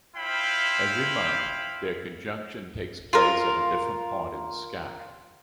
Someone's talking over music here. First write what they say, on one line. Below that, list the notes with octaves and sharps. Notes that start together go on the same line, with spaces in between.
Every month their conjunction takes place at a different point in the sky.
E4 F4 C5 F5 G5 B5
F4 A#4